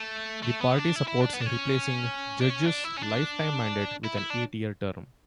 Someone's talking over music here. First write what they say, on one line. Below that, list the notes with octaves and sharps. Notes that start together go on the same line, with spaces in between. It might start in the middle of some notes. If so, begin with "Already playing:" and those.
The party supports replacing judges' lifetime mandate with an eight-year term.
Already playing: A3
A3
B3
D4
E4
E4
D4
B3
D4
C#4
D4
C#4
D4
E4
C#4
D4
E4
E4
D4